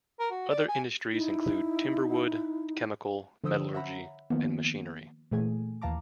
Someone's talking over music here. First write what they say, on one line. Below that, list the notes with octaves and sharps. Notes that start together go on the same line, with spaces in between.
Other industries include timber-wood, chemical, metallurgy, and machinery.
A#4
F#4
D5
G#5
D#4 E4
D3 F3 C5 D#6 E6 G6
C#5 E5 F#5 A#5 B5
D#3 F3 A#3 B3
A#2 E3 A3 G#4 G#5
D#2 E3 F5 A5 A#5 D6